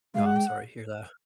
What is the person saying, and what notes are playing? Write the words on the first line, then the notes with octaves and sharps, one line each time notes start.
No, I'm sorry to hear that.
G#3 F5
F#5
G5
F#5